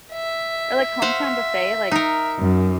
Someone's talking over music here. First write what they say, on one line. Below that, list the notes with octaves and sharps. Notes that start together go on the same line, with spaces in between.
Or, like, Hometown Buffet, like
E5
C5 F5 F#5
D#4 A#4
F#2